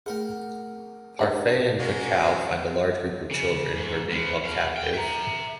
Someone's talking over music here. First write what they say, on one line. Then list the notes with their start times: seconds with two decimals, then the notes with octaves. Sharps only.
Parfait and Cacao find a large group of children who are being held captive.
0.06 A3 G#4 A#4 F#5
1.19 G2 D#3 A#3 D4
1.79 G#3 A#3 C#4 F#4
3.31 C#3
3.77 G#2
4.12 F3 B3
4.45 B2 F5
4.77 G5
4.94 E5 A#5